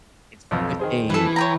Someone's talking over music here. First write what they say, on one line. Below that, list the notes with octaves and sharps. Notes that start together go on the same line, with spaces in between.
it's such a
B1 F2 F3
D#3 G#4 C5
E3 A4 B4
C#5 G5 A#5